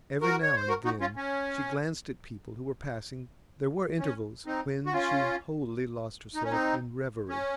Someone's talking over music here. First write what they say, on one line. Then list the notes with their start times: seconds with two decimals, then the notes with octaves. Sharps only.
Every now and then she glanced at people who were passing; there were intervals when she wholly lost herself in reverie.
0.22 F#4 A#4
0.42 C#5
0.56 C5
0.68 F#4 A#4
0.84 D#4 F#4
1.01 C#4 F4
1.16 C#4
3.99 C#4
4.46 C4 D#4
4.86 F#4
4.93 C#4 F4
6.35 D#4
6.44 C#4
6.51 C4 D#4
7.29 C#4